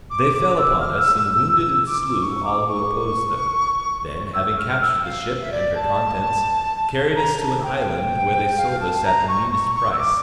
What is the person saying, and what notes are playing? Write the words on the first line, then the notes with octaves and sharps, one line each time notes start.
They fell upon us and wounded and slew all who opposed them; then, having captured the ship and her contents, carried us to an island, where they sold us at the meanest price.
D6
D6
E6
F6
E6
E6
E6
E6
D6
C#6
D6
C#6
E6
F6
E6
F5
E5
D5
A5
A#5
A5
G5
F5
G5
F5
A5
A#5
C#6
C#6
C#6
E6
D6